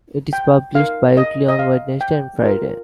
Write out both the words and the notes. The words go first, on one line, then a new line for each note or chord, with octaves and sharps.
It is published bi-weekly on Wednesday and Friday.
G5
D#4 A#4 F5
D#5
D#5
F5
G5
F4 A#4